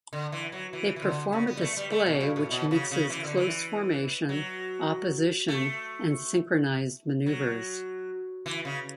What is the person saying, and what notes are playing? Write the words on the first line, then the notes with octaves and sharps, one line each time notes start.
They perform a display which mixes close formation, opposition and synchronised manoeuvres.
D3
E3
F#3
E3
E3
D3
C#3
B3
G3
A3
G3
A3
B2
G2
A2
B2
C#3
C#3
E3
D3
E3
F#3
A3
F#3
E3
C#3